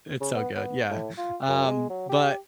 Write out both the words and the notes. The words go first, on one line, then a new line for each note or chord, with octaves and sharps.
it's so good, yeah. Um, but
C#3
B3
B3
A2
F4
F#2
G#3
F#3
G4